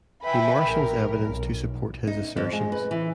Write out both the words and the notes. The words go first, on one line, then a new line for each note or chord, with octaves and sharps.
He marshals evidence to support his assertions.
B4 E5 G5 G#5 B5
A#1 A#4
B1
D#4
F2
G#3
B4
E3